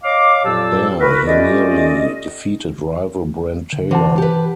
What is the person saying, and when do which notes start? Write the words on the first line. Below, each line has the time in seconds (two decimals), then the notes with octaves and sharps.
There, he nearly defeated rival Brent Taylor.
0.03 C#5 D#5 F5 D6
0.45 F2 A#2 F#3 G4 A5 E6
0.99 C2 F#4 A#4 B4
1.27 A3 C#4 F4 G4 D5 D#5
3.73 D3
3.91 C3 E3 F#5 A5
4.18 G4 B4